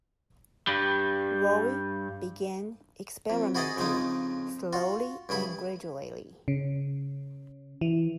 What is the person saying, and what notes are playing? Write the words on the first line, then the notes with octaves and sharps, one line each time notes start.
Rowe began experimenting, slowly and gradually.
G2 G3
F2
E4 F#4 G#4 D5 D#5
F2 C#3 F3 G#3 D#4
F4 F#4
G2 C#3 E4 B5
C#3
E3